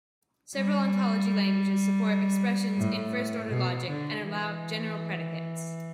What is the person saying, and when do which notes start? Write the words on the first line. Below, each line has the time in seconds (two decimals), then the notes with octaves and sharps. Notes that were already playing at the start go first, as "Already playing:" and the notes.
Several ontology languages support expressions in first-order logic and allow general predicates.
0.56 G3
2.78 A2
3.51 B2
3.89 D3
4.26 E3